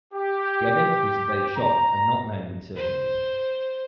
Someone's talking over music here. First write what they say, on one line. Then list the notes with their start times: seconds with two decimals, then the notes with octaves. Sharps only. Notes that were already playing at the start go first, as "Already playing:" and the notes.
The identities of those shot are not known with certainty.
0.14 G4
1.56 A#5
2.76 C5